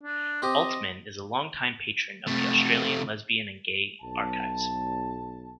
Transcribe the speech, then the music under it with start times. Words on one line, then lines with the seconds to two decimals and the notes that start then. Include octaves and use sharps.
Altman is a longtime patron of the Australian Lesbian and Gay Archives.
0.03 D4
0.42 C4 G4 D#5
2.28 C3 A3
4.02 B1 A5